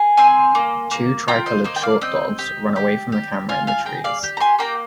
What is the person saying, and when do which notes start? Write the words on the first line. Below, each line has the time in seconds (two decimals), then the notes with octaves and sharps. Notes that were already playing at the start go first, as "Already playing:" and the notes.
Two tricolored short dogs run away from the camera in the trees.
Already playing: G#4
0.17 C4 G#5 C6
0.55 A#3
0.91 A#3
1.28 F4 G5 A#5
1.46 C5 D#5
1.64 A#3 C5 D#5
1.76 G5
1.83 D5 F5
2.01 C4 D#5 G5
2.39 G4
2.76 G4
3.12 G4
3.49 F4 F5 G#5
3.67 F5 G#5
3.85 G#4 G5 A#5
4.04 D5 F5
4.23 G4
4.37 A#5
4.40 G#5 C6
4.59 A#3 G5 A#5